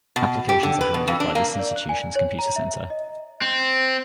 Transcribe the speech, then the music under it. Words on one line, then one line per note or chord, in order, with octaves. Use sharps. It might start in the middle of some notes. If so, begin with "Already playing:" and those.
Applications are handled by this institution's Computer Centre.
B2
G4
D3
B4
B2
F2
D4
A#3
D5
F#6
G#5
C#5
A#5
E5
D#5
C4